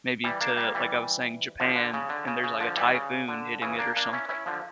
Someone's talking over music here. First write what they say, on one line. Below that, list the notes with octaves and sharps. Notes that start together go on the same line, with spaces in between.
maybe to like I was saying, Japan and there's, like, a typhoon hitting it or something.
E3 G3
A#3 D4
G3 A#3
E3 G3
D3 F3
D3
C#3
D3
C#3
C#3
D3 F3
E3 G3
C#3
D3
C#3 E3
A#3 D4
A#3 D4
C#4 E4
C#4 E4
D3 F3